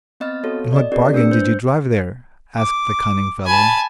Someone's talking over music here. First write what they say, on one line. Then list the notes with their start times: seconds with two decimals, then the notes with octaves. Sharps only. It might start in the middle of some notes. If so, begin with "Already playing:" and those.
'And what bargain did you drive there?' asked the cunning fellow.
0.20 B3 C4 D#5 B5 F6 A6
0.43 B3 F#4 A4 C#5
0.73 D5 D#5
0.92 C4 F#4 G#4 A#4 D5
1.13 A3 D4 B4 E6 C#7
1.31 C5 G6
2.58 D6
3.46 G#5 A5 B5